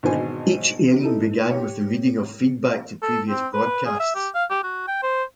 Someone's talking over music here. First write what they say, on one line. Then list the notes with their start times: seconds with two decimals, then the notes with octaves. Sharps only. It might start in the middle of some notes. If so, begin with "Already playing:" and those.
Each airing began with the reading of feedback to previous broadcasts.
0.03 G#1 B2 D3 D4 C5 G#5
1.02 D#4 E4 A4
1.51 G4 C#5
3.02 A4
3.29 C4
3.53 B4
3.85 G#4
4.00 E5
4.15 G4
4.34 F5
4.50 G4
4.63 F#4
4.88 G5
5.02 C5